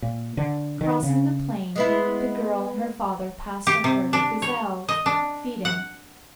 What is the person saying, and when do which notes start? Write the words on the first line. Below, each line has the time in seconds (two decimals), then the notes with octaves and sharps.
Crossing the plain, the girl and her father passed a herd of gazelles feeding.
0.02 A#2
0.37 D3
0.81 D#3
1.03 C#3
1.76 G#3 B3 E4
3.67 G4
3.84 C3
4.13 D4
4.42 C#5
4.89 D#5
5.06 D4
5.65 F#5